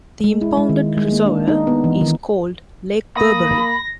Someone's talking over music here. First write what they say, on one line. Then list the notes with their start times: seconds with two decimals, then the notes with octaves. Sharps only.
The impounded reservoir is called Lake Burbury.
0.24 G#3
0.42 E4
0.57 G#3
0.69 D#3
0.97 G#3
1.12 A#3
1.26 D4
1.48 D#4
1.67 B3
1.84 E3
2.01 D#3
3.17 A#3 B5 D#6 A#6